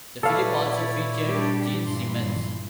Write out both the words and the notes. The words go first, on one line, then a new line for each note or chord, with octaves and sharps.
The film also featured Gene Simmons.
A#2 E4 A4 B4 C#5 D5 F5
G3 D4 G4
G2 E3 C6